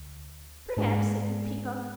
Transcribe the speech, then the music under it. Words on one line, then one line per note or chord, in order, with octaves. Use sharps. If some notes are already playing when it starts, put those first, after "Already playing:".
"Perhaps," said the Peacock.
Already playing: D2
G#2 G#3 D4 G#4